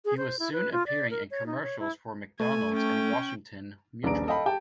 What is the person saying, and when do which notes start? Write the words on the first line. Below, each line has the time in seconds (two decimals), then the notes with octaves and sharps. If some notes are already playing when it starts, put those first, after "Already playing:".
He was soon appearing in commercials for McDonald's and Washington Mutual.
0.05 G#4
0.17 C5
0.39 E4
0.52 B4
0.72 F4
0.87 D5
1.11 A#4
1.31 C#5
1.47 D#4
1.62 C#5
1.79 E4
2.40 A3 G#5
2.73 C#4 G5
4.03 D#1 A#1 D4 B4 A#5 D7
4.27 A4 D#5 F5 G5 B5
4.46 G4 G5 A5